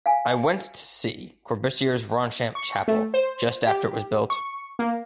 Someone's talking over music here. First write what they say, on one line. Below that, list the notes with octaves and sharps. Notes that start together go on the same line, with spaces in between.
I went to see Corbusier's Ronchamp chapel just after it was built.
F5 G#5
C#6
A3
C5
G4
C#6
A#3